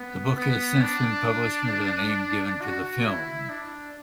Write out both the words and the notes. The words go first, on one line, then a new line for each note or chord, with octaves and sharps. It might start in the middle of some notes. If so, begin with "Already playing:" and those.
The book has since been published under the name given to the film.
Already playing: B3
B3
D4
F#4
E4
D4